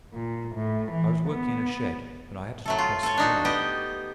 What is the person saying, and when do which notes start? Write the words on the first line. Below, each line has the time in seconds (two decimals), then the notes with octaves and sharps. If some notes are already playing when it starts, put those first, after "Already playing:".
I was working in a shed, and I had to cross the yard.
0.14 A#2
0.54 A2
0.91 E3
1.29 B3
2.66 F#3 A3 A4
2.78 F4
3.03 A4 C#5
3.17 D4 D#4 F#4
3.45 B3 G4 D#5